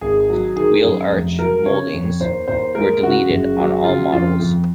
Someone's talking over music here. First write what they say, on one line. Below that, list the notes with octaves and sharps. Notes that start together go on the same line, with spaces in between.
Wheel arch moldings were deleted on all models.
G#1 G#4
F#3
D#3 G#4
F#2
F1
F#3 A#4
C#3 C#5
F2
D#2 C5
D#2 C5
G#3 A#4
C#3 F#4
F#1
F#3
C#3 F4
F2 F4
F2